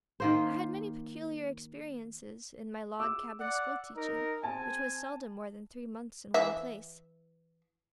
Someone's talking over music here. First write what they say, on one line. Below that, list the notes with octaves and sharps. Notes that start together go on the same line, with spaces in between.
I had many peculiar experiences in my log-cabin school-teaching, which was seldom more than three months in one place.
D#3 A#3 C5
D6 E6
D5 F#5
D#4 A#4
C4 G#5 A5
E3 E5